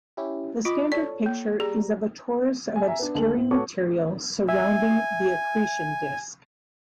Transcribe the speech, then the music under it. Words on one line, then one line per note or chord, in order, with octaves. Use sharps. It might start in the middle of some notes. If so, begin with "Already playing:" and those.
The standard picture is of a torus of obscuring material surrounding the accretion disc.
C#4 E4 G4
F4 D#5 B5 D6
A4 C#5 D5
A#3
G3 G#4 A#5
G#5
E5 G#5 A#5
B3 D4
D2 G#3 A4 F#7
A2 C4
F#4 A4 B4 C#5 C#6 D6
E5 G#5